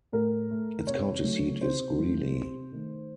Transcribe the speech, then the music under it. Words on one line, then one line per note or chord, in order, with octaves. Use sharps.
Its county seat is Greeley.
A2 A#4
A3
C3 C#5
F#3 A3
C3 C5
F#3 A3
C3
D#3 A3